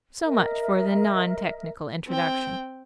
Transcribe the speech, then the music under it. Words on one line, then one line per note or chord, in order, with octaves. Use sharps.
So much for the non-technical introduction.
A#4 D#5 E5
C4 G5